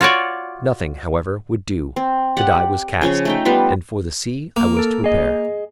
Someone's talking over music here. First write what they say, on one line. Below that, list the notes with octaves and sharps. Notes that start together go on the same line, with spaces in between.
Nothing, however, would do; the die was cast, and for the sea I was to prepare.
F4 F#4 C#5 D5
C4
G4 D5 F#5
C#3 F3 C#4 C#5
A3 D#4 G5
G3 B3 F4 B4
A#3
A4 A#4
G#4 D#5